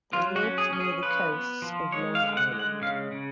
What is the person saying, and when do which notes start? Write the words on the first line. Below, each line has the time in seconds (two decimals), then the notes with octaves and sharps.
They lived near the coasts of Long Island.
0.13 F#3 F4
0.36 F#4
0.43 C#4
0.58 G#4
0.73 C#4
0.80 G#4
1.03 F3 B4
1.33 B3
1.62 F3
1.92 G#3 C#5
2.15 F5
2.22 D3
2.37 F#5
2.52 G#3
2.59 F#5
2.82 C#3 F5
3.12 C#3